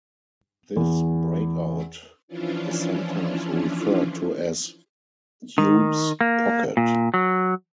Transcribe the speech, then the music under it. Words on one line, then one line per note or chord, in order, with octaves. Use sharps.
This breakout is sometimes referred to as Hube's Pocket.
E2
E3 F3 C#4 D4 E4 F4
D#3
A#3
A#2
F#3